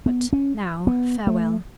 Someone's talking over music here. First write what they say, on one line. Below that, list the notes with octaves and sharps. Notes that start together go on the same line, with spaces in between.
But now, farewell.
B3
C#4
B3
A3